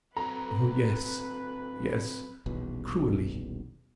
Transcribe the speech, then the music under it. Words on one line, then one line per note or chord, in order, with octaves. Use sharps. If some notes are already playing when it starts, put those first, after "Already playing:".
"Oh, yes, yes, cruelly!"
F#3 C4 A4 B4 A#5
D#1 B1 E2 B2